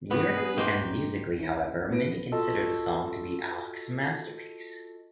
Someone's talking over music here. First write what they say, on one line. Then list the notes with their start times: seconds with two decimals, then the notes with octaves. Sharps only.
Lyrically and musically, however, many consider the song to be Ochs' masterpiece.
0.11 G2 B3 B4
0.37 G#4
0.57 G2 A#3 D#4 C5 G5
1.39 E3 C#4
1.91 B2 B3 B4 A#6 D7
2.32 F4 F#4 A4 D#5 A5